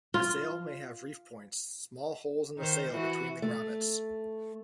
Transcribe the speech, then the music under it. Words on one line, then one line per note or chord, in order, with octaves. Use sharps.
A sail may have "reef points," small holes in the sail between the grommets.
F4
D#3 C5
E3 F#4
A3